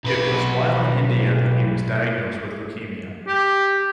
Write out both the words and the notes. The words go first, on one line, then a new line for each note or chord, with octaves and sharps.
It was while in India that he was diagnosed with leukaemia.
B1 B4
G4